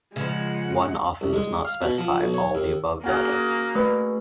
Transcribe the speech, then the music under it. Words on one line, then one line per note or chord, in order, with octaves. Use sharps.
One often does not specify all the above data.
C#3 F3 G#3 F#5
C2
G#3
F5
B2
F3
B1
C#5
D#2
A#3 C#4 F#4 G#4
A3 B4